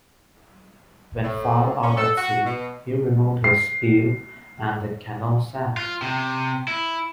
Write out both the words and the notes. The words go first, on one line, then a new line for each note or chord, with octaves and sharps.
When far out at sea, he removed his heel, and the canoe sank.
A2
C#4
A4
F#4
B2
C7
F4
C3
E4